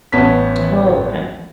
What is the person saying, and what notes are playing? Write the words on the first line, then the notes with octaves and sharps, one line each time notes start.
Oh, 'kay.
A1 B3 C#4 A5 B6